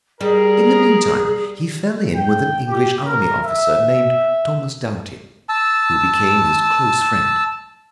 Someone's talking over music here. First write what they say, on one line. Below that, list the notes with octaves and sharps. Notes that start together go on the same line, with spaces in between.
In the meantime he fell in with an English army officer named Thomas Doughty, who became his close friend.
G3 G#4 A#4
G5
G4
A#4
E5
A5 E6